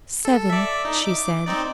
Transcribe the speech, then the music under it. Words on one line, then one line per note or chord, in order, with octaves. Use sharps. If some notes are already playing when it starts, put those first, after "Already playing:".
"Seven," she said.
A4
D5 E5
D#4
D6
C4 D#4 D5